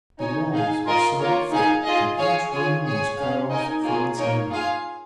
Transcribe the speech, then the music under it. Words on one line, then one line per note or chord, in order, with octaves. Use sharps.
The walls were so thick that each room was cut off from its neighbour.
D#4 C#5 G#5
D#4 G#4 F5 G#5
F4 A#4 D#5
A#3 F4 A#4 C#5
D#4 G#4 F5 G#5
F4 G#4 D#5
G#4 C#5 F5 G#5
F4 G#4 C#5 G#5
G#4 C#5 G#5
C#4 G#4 F5
D#4 A#4 D#5 G#5
A#3 F4 G#4 C#5 G#5
A#3 D#4 A#4 C#5
F4 G#4 F5 G#5